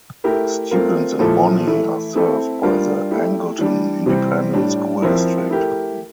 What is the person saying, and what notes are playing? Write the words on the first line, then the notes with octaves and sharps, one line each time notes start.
Students in Bonney are served by the Angleton Independent School District.
A3 E4 G4 A#4
A3 C4 F4 A#4
A#2 F3 A3 E4 A4
E3 A3 E4
A3 C4 E4 A4
G3 D4 F4 A#4
A3 E4 G4
E3 G3 D4
C3 E3 G3 C4
A2 G3 D4
F3 C4 E4 A#4
A3 E4 G4 A#4